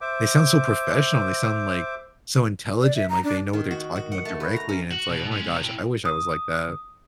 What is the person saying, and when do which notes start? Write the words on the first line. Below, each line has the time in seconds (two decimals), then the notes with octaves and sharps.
"They sound so professional. They sound, like, so intelligent. Like, they know what they're talking about directly," and it's, "Oh my gosh. I wish I was like that."
0.01 C5 E5 D6
2.82 D5
2.95 E5
3.09 A#5
3.24 D4
3.53 D#3
3.71 F#4
3.96 F#4
4.12 F#5
4.25 A3
4.40 B4
4.56 A#5
4.69 C#4
4.91 F#4
5.10 B2
5.32 G#3 C#4
5.50 C3 F3
5.64 E4 G5
6.05 D#6